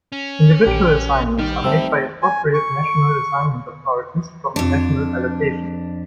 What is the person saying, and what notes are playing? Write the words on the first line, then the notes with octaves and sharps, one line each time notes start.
Individual assignments are made by appropriate national assignment authorities from the national allocation.
C#4
A#1 G4
D#3 G3
A3 C4 D#4 E6
G#5
C#6
F2 D4